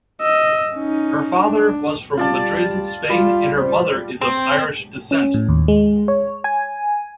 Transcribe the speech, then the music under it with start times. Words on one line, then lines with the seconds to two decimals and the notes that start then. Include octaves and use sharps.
Her father was from Madrid, Spain and her mother is of Irish descent.
0.21 D#5 E6
0.75 C#4 D#4
1.39 D4
2.17 G3 F4 D5 A5
3.09 G3 F4
3.58 C5
4.21 C4
5.11 C#4
5.34 A2
5.49 D#2
5.68 G#3
6.08 C#5
6.44 G#5